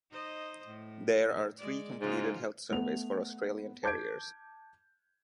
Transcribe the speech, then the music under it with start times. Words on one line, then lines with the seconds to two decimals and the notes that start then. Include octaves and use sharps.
There are three completed health surveys for Australian Terriers.
0.11 D#4 C5 D#5
0.67 A2
1.57 G#3 D5
2.01 G#2 C#3 F4 F#4
2.71 A3 B3 F7
3.83 A5 D6 G6 G#6 D7